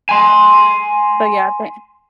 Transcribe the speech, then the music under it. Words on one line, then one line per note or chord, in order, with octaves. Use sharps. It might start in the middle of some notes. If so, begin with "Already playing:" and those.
So yeah, but
G#5 C6